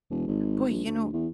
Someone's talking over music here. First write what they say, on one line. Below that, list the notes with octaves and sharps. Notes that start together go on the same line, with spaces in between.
Boy, you know
E1
G#1
A#1
D2
E2